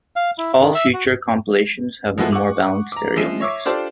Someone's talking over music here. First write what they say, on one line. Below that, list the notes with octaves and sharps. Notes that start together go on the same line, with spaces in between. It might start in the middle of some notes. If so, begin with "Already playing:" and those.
All future compilations have a more balanced stereo mix.
F5
E4
D#3
E5
F#4
F3 G#3 B3 E4 F#4 A4
F#5 C#6 D6
A#5 D6
F3 G#3 E5 C7 D#7 E7
C#5 E5 C#6 D6
D4 F4 G4 A4 C5 D5